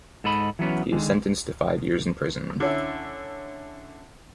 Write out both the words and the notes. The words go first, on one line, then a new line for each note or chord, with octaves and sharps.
He is sentenced to five years in prison.
G#2 A4 D#5 B5
E3 F#3 B3 C#4
D3 D#3 G#3
D3 C#4 E4